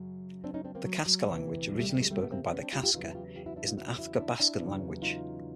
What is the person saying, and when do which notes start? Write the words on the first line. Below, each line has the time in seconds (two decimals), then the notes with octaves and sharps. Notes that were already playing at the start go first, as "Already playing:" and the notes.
The Kaska language originally spoken by the Kaska is an Athabaskan language.
Already playing: F#2 C#3 F#3
0.44 C4 D4
0.54 C#4 D#4
0.65 C4 D4
0.75 A#3 C4
0.85 F#3
1.06 F#3
1.27 D2 C3 E3
1.69 G3
1.79 G3 A3
1.89 G3
2.00 F#3 G#3
2.10 G3 A3
2.21 A3 B3
2.31 A#3 C4
2.52 B3 C#4
2.62 C4 D4
2.73 F4 G4
2.83 F4 G4
2.94 E2 C#3 F#3 D#4 F4
3.04 E4 F#4
3.15 F4 G4
3.36 F4 G4
3.46 E4 F#4
3.56 D4 E4
3.67 D#4 F4
3.77 E4 F#4
3.98 E4 F#4
4.19 D4 E4
4.40 D4 E4
4.60 E2 C#3 F#3
5.02 D#4 F4